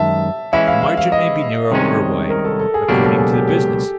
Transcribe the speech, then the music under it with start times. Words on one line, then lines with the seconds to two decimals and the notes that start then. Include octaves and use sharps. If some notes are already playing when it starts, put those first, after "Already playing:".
The margin may be narrow or wide, according to the business.
Already playing: F#2 D#3 G#3 E5 A5
0.53 E3 G#3 C#4 E4 E5
0.67 F5
0.82 F5
0.97 F5
1.12 D#5
1.71 C2 C3 D#3 G#3 C#4
2.30 A#4
2.45 A4
2.59 A4
2.74 G#4
2.88 C#2 B2 F#3 A#3 D4 G4
3.04 A4
3.18 G#4
3.33 G4
3.47 G4